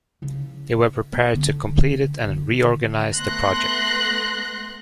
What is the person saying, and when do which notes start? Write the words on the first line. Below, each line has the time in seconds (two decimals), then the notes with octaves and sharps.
They were prepared to complete it and reorganized the project.
0.22 C#3 E4
1.12 B3
1.34 D3
1.76 C#3
2.26 D3 D#3
3.13 A3 B3 C6 F#6 A#6